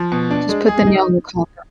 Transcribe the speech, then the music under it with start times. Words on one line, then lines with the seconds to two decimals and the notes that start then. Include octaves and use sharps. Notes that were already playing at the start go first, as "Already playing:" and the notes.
W just put the nail in collar.
Already playing: F3
0.12 B2
0.31 D4
0.49 G#3
0.68 G#4
0.87 D#4